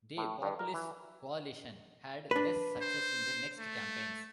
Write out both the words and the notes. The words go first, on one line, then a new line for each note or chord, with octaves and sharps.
They Populist coalition had less success in the next campaigns.
A2
G2
A#4
E3
D4 B4
C5
A3